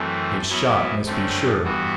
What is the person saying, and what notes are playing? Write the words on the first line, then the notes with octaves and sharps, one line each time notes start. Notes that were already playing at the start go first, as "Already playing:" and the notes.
His shot must be sure.
Already playing: F#2 E3 A3 C4
F#2 F#3 B3 E4
F#2 D3 A3 C4
G2 E3 B3 F#4